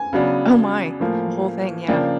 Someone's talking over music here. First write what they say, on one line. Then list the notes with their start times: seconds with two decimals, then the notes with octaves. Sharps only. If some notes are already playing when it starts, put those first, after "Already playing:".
Oh my. The whole thing, yeah.
Already playing: G#5
0.13 C#3 F#3 B3 D4
1.00 A2 F3 A#3
1.88 C#3 F3 A#3 D4 G5